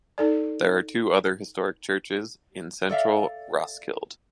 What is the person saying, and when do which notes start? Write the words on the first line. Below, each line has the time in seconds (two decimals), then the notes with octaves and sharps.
There are two other historic churches in central Roskilde.
0.18 D#4 A4 D5
2.89 A4 D5 E5 F5